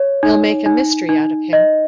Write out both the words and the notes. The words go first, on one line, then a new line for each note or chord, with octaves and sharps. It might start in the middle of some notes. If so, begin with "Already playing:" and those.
We'll make a mystery out of him.
Already playing: C#5
D#4
D#4
D#4
D#5